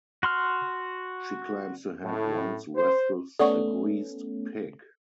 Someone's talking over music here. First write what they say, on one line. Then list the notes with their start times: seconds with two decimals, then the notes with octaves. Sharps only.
She claims to have once wrestled a greased pig.
0.23 F#4 C6 F6
2.04 A2
2.75 C5
3.39 A3 B3 C#4 A4 D5 F#5 C#6